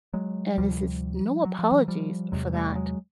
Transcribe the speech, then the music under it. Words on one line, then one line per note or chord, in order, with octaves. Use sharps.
And this is no apologies for that.
F#3 G#3
D2 C3 F3 G3
F#3
F3
E3 F#3
F3 G3
E2 C3 F#3 G#3
G3 A3
F#3 G#3